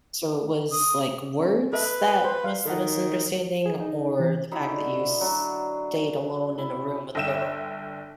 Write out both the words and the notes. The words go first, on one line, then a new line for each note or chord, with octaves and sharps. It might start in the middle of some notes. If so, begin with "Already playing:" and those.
So it was, like, words that was the misunderstanding, or the fact that you stayed alone in a room with a girl?
D#6
C#4
A4 B4 D#5 E5
C5
F5
D#3 A4 F#5
G#4
D#4
E3
D#4 E4 F#4
D3
F#3 D4
E4
G1 D3 E5 G5 E7